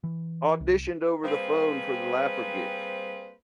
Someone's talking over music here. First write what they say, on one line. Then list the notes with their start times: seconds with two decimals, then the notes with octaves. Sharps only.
au auditioned over the phone for the laugher gig,
0.04 E3
0.60 C2
1.24 G3 A#3 C4 G#4 B4 C5